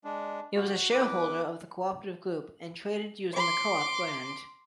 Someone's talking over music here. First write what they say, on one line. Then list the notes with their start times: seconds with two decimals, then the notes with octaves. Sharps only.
It was a shareholder of the Co-operative Group and traded using the "Co-op" brand.
0.04 G#3 D4
0.55 F#4
0.92 E2 B4 D6
3.34 C6 D6